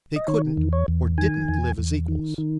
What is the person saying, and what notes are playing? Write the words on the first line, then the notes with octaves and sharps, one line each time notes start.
They couldn't or didn't live as equals.
D#5
D#3 C#5
E2
C#5
E2
D#3 G#5
E2
E2
D#3
D#3